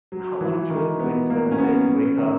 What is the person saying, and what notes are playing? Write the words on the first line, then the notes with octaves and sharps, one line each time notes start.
how what a joyful way to spend the day. You wake up,
F#3
E3
D#3
B3
A#3
C#4
B3
C#4
D#3